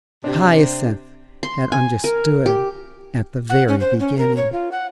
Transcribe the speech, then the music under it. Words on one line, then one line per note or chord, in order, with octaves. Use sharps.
Hyacinth had understood at the very beginning.
C3 D4 G4
C6
G#5
A#4
G4
F#5
C#4
C5
C#4
A#4
C#5
F4
F#5